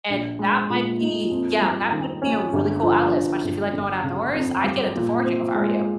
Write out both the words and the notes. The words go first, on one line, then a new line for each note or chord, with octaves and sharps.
and that might be yeah, that would be a really cool outlet, especially if you like going outdoors. I'd get into foraging if I were you.
A#1
G#3
A#2
D#4
F2
G3
D#3
C#4
G1
F3
G2
G1
G1
C#3
F2
G3
A#2
C4
G#3